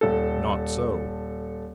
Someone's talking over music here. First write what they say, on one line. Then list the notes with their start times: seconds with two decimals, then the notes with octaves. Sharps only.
Not so.
0.01 D#1 A4